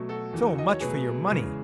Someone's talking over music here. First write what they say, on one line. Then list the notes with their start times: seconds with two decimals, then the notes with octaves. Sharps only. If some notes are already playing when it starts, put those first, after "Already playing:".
So much for your money!
Already playing: B2 F#3 A3
0.09 F#4 A4
0.33 E2 D#3 F#3
0.58 D#5
0.70 C#5
0.80 B2 F#3 A3 G#4 B4
1.28 E2 C#3 G#3